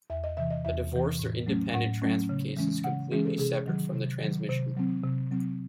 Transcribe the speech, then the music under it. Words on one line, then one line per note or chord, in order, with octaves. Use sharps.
A divorced or independent transfer case is completely separate from the transmission.
E2 E5
D#5
C3 E3 E5
D#5
E2 E5
C3 E3
A2
F#3 A3 C#4
A2 F#5
F#3 A3 C#4
C#3
E3 G#3 C#4
C#3 F#5
E3 G#3 C#4 G#4
A4
C3 G#4
D#3 F#3
C3
D#3 F#3
C3 C5
F#3 C4
C3
F#3 C4